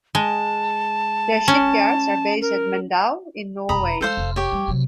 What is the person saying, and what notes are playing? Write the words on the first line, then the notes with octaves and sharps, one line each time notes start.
Their shipyards are based at Mandal in Norway.
G#3 A5
C#4
A#4
E1 F2 A#5 B5 D#6
G#3 A4 C5 F5
F1
G4 C#5
G3
C3 F#3